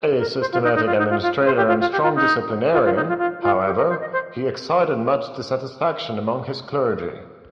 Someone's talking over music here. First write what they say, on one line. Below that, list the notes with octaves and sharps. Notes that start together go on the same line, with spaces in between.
A systematic administrator and strong disciplinarian, however, he excited much dissatisfaction among his clergy.
A#4
C5
F4
D#4
D#4
F4
D#4
F4
F4
C5
G4
F4
F4
G4
F4
D#4
F4
F4
D#4
F4
F4
F4
G4
A#4
C5
D#5
C5